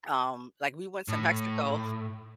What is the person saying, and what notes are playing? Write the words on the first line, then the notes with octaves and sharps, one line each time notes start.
um, like, we went to Mexico.
A2